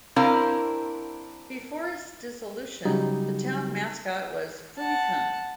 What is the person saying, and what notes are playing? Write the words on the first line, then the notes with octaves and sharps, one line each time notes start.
Before its dissolution, the town mascot was "Fumi-kun".
C4 D4 E4 A#4 C5 F5
C#3 F#3 G3 D#4 F#4 G4
F#5 A5